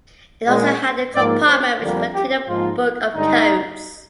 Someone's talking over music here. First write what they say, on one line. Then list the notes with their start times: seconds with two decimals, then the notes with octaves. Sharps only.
It also had a compartment which contained a book of codes.
0.47 A#2 G#3
1.14 G#2 F3 A#3 D5
1.48 C5
1.81 F2 D3 G3 A#3
2.14 G4
2.48 G#2 F3 A#3 F4
3.15 G2 D3 G#3 D#4